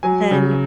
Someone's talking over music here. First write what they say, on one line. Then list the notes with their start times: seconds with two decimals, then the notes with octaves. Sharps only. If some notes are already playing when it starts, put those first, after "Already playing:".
then it
0.03 F#3 G#5
0.31 C#3